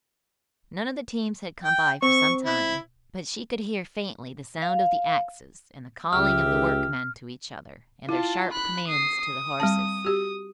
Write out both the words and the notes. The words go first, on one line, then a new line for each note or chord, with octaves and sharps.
None of the teams had come by for some time; but she could hear faintly the sound of the axes and the calling of the workmen to each other and their sharp commands to the horses.
G5
C4 C#6
E4
F5
C#2 G4 E5 F6
E4 F4 A5
B5 F#6
D#6 C7
D#6
G3 C4 A5
F#4 G4